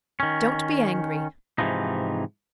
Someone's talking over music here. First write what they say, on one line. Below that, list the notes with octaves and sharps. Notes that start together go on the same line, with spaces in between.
Don't be angry.
D#3 C#4
G#2 C3 E3 F3 D#4